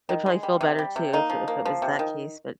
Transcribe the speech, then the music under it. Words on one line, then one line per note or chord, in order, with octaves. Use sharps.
that would probably feel better, too, if it if it was that case. But,
D#3
G#3
G3
C3
G3
C3
A#3 D#4
F3
A#3
F3
C3
D#3